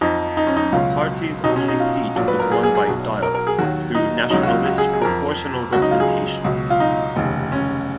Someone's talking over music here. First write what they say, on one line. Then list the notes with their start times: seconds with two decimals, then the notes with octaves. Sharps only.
The party's only seat was won by Diop through national list proportional representation.
0.01 F2 F3 D#4
0.37 D#4
0.47 C#4
0.57 D#4
0.72 C#2 B2 F#3 F4
1.44 B1 B2 F#3 D#4
1.56 C#4
1.68 D#4
1.80 F4
2.16 A#1 A#2 F#3
2.28 B4
2.40 A#4
2.52 G#4
2.63 G#4
2.75 G#4
2.87 B1 B2 F#3
3.23 A#4
3.35 A#4
3.47 G#4
3.59 D#2 D#3 F#3 F#4
3.95 D#4
4.30 C#2 C#3 F#3 D#4
4.43 F#4
4.48 F4
4.66 F#4
4.78 G#4
4.93 G#4
5.02 F2 F3 A#4
5.73 C#2 C#3 F#3 F#4
5.82 D#4
5.91 F4
6.00 G#4
6.44 C#2 B2 F#3
6.70 F4
6.80 D#4
7.16 F1 D#2 C#3
7.52 C#4